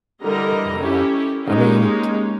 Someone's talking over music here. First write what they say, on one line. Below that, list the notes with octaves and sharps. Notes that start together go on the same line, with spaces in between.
Ah, I mean,
D3 E3 G3 A#4 D#5 A#5
C#4 E4 G4 A4
G#3 A#3 C#4 D#4 G4